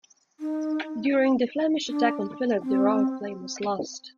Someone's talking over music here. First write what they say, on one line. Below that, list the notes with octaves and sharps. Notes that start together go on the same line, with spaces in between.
During the Flemish attack on Philip, the oriflamme was lost.
D#4
D4
C4